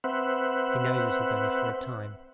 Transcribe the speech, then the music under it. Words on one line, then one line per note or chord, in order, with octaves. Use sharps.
He knows it is only for a time.
C4 B4 C5 E5 F#5